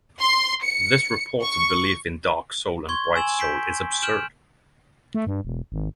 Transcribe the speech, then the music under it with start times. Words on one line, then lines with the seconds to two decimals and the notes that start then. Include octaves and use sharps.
This reported belief in dark soul and bright soul is absurd.
0.20 C6
0.63 C#7
1.42 C#6
2.89 C6 C#6 G#6 G7
3.16 G#5 E6 E7 F#7
3.39 G6 B6 C7 D7
4.02 F6 G6 D7 E7 F#7
5.14 A3
5.27 G2
5.45 E1
5.72 G#1